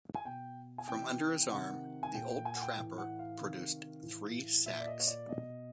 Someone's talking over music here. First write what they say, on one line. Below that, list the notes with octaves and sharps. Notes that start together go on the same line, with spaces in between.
From under his arm the old trapper produced three sacks.
G#5
B2 G5
G#5
C3 E3 G5
G5
C3 D#3 F#5
G#5
A#2 G5
G5
G#5
F#5
G5
A2 E3
F#5
F5
C3 D#3
A2 E3
A#2 E5
D5
D#5
C#5
D5
B2 D#5